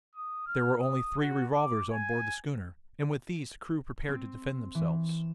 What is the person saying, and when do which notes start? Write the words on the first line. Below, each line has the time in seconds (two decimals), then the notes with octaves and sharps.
There were only three revolvers on board the schooner, and with these the crew prepared to defend themselves.
0.15 D#6
0.46 F6
0.81 D#6
1.19 F#4
1.54 D6
1.91 G#5
4.08 C4
4.75 E3
5.09 E7